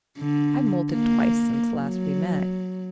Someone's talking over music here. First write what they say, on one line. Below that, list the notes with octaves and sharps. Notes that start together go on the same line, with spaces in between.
I've moulted twice since last we met.
D3
A#3
F#3